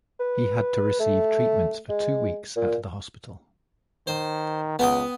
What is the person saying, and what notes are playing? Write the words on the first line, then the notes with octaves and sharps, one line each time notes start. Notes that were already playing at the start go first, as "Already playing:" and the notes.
He had to receive treatments for two weeks at the hospital.
B4
A3
G#3
A#2
D#3 C5
C#2 B3 G5 D#6